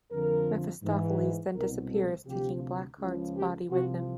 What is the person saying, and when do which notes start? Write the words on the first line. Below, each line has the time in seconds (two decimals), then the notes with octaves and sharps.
Mephistopheles then disappears, taking Blackheart's body with him.
0.12 F2 D3 F3 A#4
0.84 G#2 E3
1.55 C2 B2 A#4
1.91 A4
2.27 D2 C3 F3 G4
2.99 C#2 C#3 F3
3.34 G4
3.70 C2 C3 F3 F#4